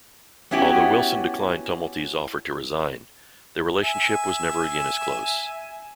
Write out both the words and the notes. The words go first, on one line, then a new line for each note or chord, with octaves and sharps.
Although Wilson declined Tumulty's offer to resign, their relationship was never again as close.
B3 C#4 E4 F#4 G4
E5 G#5